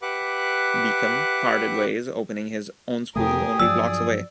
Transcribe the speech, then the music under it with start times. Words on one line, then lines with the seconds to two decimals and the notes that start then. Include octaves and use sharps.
Beacom, parted ways, opening his own school only blocks away.
0.02 G4 B4 E5 F#5 D6 F#6
3.16 F2 C3 A3 G4 G#4 A#4 D#6
3.60 G2 F3 F#3 D5 E6